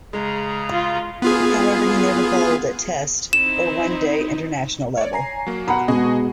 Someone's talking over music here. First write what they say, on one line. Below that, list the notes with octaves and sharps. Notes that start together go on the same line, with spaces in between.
However he never bowled at Test or One Day International level.
C#3 G#3 G#4 A#5
F4
B3 F4 G#4
C4 D#4 E4 E7
C#5 D5
G#5 A#5 C7
F#3 A#3
B2 F#5 A#5 B5
B2 G#3 F#4 G#4 D#5